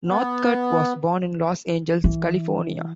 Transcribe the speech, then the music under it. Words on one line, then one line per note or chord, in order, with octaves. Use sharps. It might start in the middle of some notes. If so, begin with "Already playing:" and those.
Northcutt was born in Los Angeles, California.
B3
E3